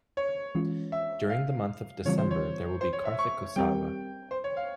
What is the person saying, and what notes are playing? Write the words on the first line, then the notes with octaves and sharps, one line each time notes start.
During the month of December there will be Karthikotsava.
C#5
E3 G#3 C#4 F4
E5
F5
C#3 E3 G3 C4 F4 C#5
C5
C#5
C5
C#5
E5
C#6
G3 C4 G4 A#4 G5
C5
C#5
F5